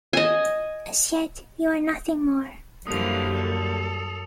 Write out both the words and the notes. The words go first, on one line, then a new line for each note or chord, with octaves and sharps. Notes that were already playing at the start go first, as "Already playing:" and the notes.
As yet, you are nothing more.
D#5 G#5
F#2 D3 E3 F3 G3 A#3 D#6 F7
A4